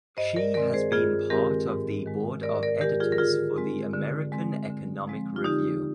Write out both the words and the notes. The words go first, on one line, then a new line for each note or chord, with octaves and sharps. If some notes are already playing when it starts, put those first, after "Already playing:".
She has been part of the board of editors for the American Economic Review.
G2 C5 D#5
A#4 D5
D#3 G#3 C4 A#4 D5
G#4 C5
G2 F4 G#4
D#3 G#3 C4 G4 A#4
G#2
D#3 G#3
G#2 A#4 D5
A#4 D5
D#3 G#3 G4 A#4
F4 G#4
A#4
D3 F4 G#4
G#3 C4
D3
G#3 C4
D3
F3 G#3 C4
F4
D3 D#4 G4